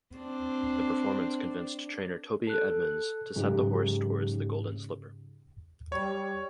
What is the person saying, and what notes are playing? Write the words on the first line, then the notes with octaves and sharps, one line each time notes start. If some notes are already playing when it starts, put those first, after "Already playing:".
The performance convinced trainer Toby Edmonds to set the horse towards the Golden Slipper.
C4 D4
A4 F#6
G#2 C#3 F#3 D#4 G4
G3 C#5